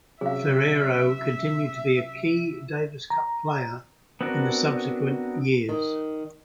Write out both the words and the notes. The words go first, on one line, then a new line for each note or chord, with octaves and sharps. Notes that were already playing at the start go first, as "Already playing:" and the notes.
Ferrero continued to be a key Davis Cup player in subsequent years.
C3 F#3 C#4 G#4 E5 F5
A#5
B3 C4 D4 F#4 A#4
D#3